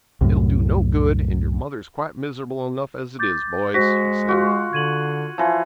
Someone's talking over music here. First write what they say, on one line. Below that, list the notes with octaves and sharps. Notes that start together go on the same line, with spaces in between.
'It'll do no good, and your mother's quite miserable enough as it is, boys,' he said.
C2 F#2 A2
D6 G6 A6
G#3 F#4 C5 A#6 B6
F4 F#4
D3 G#6 D#7 F#7
E3 F3